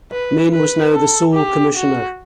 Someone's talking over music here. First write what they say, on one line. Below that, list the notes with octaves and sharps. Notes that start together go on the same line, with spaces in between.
Mayne was now the sole Commissioner.
B4
B4
A4
G4
F#4